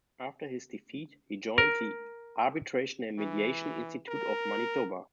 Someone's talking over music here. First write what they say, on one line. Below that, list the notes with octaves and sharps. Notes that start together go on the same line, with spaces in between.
After his defeat, he joined the "Arbitration and Mediation Institute of Manitoba".
A#4
E3
A#4